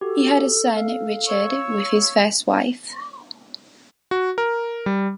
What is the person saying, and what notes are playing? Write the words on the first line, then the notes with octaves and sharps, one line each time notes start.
He had a son, Richard, with his first wife.
F#4 G4 A4
F5
C#5 C#6 E6
F#4
A#4
G3